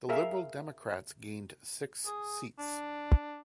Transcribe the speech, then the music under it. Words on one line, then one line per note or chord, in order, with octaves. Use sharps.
The Liberal Democrats gained six seats.
G#4 A#4 E5 F5
G#4
D4